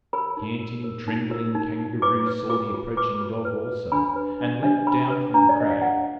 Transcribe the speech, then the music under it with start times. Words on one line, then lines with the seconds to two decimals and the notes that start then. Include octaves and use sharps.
The panting, trembling Kangaroo saw the approaching dog, also, and leaped down from the crag.
0.13 A#4 B5
0.37 D#4
0.61 A#4
0.84 A#4
1.08 D#4
1.31 A#4
1.55 D#4
1.79 D#4
2.02 B4 D6
2.26 B4
2.50 F4 D6
2.74 F4
2.97 B4 D6
3.21 F4
3.45 B4
3.68 B4
3.92 D4 B5
4.16 B4
4.40 D4
4.63 D4
4.87 D4 B5
5.10 B4
5.34 D4 A#5
5.49 D5
5.57 B4 D#5
5.70 F5
5.82 F4 F#5